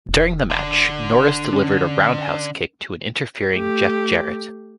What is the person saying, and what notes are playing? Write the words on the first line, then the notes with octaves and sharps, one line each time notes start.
During the match, Norris delivered a roundhouse kick to an interfering Jeff Jarrett.
E1
D3
C#4
A3 G4